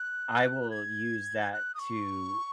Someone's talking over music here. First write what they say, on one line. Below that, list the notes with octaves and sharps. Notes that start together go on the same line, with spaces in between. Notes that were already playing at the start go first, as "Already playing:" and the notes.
I will use that to
Already playing: F#6
G#6
F#6
D#6
C#6